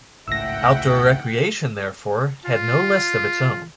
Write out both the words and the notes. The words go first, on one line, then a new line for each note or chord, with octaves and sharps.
Outdoor Recreation therefore had no list of its own.
G#1 C#2 A2 E5 F#5 G5 E6 A#6
F4